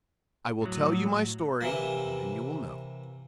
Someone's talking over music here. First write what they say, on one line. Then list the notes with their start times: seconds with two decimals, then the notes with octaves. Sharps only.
"I will tell you my story, and then you will know."
0.62 A2 F#3
1.61 C3 E3 A#3